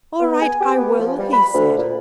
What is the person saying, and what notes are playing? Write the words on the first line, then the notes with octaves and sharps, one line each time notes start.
"All right, I will," he said.
B3
G#5
G4
B3
F3
G3
B5
D2
A#2